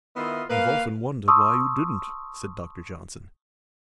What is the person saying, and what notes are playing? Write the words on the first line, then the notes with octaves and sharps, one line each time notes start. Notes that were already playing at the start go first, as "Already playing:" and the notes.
"I've often wondered why you didn't," said Doctor Johnson.
D#3 B3 E4 F4 D#5 E5
A#3 B4 F5
A5 C6 C#6 D#6 E6